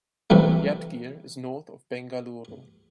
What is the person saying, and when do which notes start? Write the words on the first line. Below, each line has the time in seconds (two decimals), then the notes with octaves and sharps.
Yadgir is north of Bengaluru.
0.30 C3 E3 G3 A3